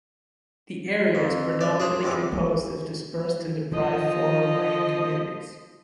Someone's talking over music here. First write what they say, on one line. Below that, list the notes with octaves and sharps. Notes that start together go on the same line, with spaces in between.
The area is predominantly composed of dispersed and deprived former mining communities.
F2
D5
G#4 C5
E2 C3 E3 D6
F3 D#5